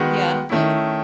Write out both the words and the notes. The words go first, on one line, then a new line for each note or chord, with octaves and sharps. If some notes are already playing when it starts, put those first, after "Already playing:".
Yeah, I don't blame him.
Already playing: D#3 G#3 B3 F#4
D#3 A3 C#4 E4